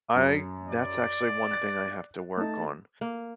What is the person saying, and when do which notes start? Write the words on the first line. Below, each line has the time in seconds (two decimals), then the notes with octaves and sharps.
I that's actually one thing I have to work on.
0.15 F#2
0.68 D5
1.51 F#6 A6
2.37 A3 D#4 A5
3.01 A#3